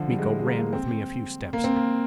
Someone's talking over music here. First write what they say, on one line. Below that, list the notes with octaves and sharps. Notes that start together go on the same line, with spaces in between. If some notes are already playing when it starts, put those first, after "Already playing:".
Miko ran with me a few steps.
Already playing: D3 F3
G3
G#3
G#3
A#3
C4
A#3
C4
A#3